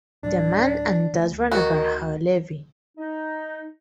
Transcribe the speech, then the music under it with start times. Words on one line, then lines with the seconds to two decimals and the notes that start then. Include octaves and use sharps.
Daman and Dadra-nagar haveli.
0.23 D2 A2 F#3 D4
1.13 D3 E3 A3
1.31 D2
1.52 D#3 F#4
2.98 D#4